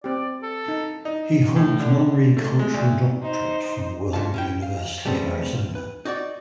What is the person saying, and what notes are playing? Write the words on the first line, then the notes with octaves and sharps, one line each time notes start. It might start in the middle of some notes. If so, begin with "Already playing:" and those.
He holds an honorary Cultural Doctorate from The World University of Arizona.
C4 G4 D5
A4
D#4
D#4
A2
D3
A3
G#3
D2
D#4 C5
F2 G#3 A3 F4 F5 A5
C#4 E4 G5
F5
C#3 G3 A3 B3 C4
B4
D#4 F#4 C#5 D5